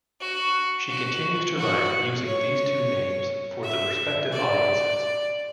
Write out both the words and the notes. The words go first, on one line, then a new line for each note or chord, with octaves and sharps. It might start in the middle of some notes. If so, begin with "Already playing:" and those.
She continues to write using these two names for the respective audiences.
F#4
F#4
F#4
C#5
E5
D5